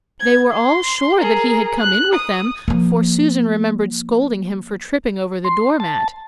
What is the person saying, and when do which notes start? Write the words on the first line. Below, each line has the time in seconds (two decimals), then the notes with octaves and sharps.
They were all sure that he had come in with them, for Susan remembered scolding him for tripping over the door-mat.
0.20 G#6
0.52 C6
1.21 G#4 A#4
1.80 F#6
2.14 D#6
2.68 F3 A#3
5.44 C6
5.80 A5